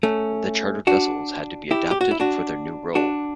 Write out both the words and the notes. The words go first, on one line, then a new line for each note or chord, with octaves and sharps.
The chartered vessels had to be adapted for their new role.
A3 C#4
D4 F#4
E4 G4
G4
F#4
E4
D4 F#4
D4 F#4